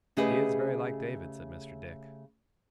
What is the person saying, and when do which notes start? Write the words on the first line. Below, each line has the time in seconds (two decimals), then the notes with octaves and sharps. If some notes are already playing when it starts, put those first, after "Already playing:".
'He is very like David!' said Mr. Dick.
0.17 C#3 A3 G4 G#4 B4 D#5